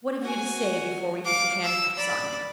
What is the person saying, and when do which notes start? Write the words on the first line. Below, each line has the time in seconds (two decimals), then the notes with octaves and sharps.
"What have you to say before we put the handcuffs on you?"
0.21 F#4 G#5
1.24 F5 D6
1.63 E6
1.97 D5 B5